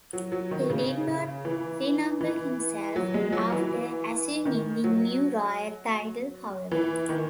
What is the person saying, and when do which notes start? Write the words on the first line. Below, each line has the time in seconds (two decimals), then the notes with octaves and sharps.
He did not renumber himself after assuming the new royal title, however.
0.13 F#3
0.32 F#3
0.51 D#3
0.70 C#3
1.07 C#3
1.45 E3
2.21 E3
2.96 F#3
3.14 G#3
3.32 F#3
3.52 E3
4.45 D#3
4.84 F#3
6.72 E3
7.09 D#3